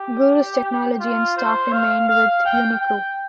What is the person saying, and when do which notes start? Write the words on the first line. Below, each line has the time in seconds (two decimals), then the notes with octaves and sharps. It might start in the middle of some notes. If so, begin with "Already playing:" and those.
Guru's technology and staff remained with Unicru.
Already playing: G4
1.00 F4
1.37 C5
1.73 F5
2.09 F5
2.46 G5
2.82 G5